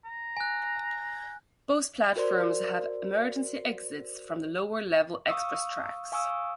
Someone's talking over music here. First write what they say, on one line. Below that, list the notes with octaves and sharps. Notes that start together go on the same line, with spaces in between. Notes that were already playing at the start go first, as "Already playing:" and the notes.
Both platforms have emergency exits from the lower level express tracks.
A#5
G#5 F#6
F#4 A#4 C5 D5 C6
F5 C#6 D#6 E6
F5 G#5 C#6 D#6 E6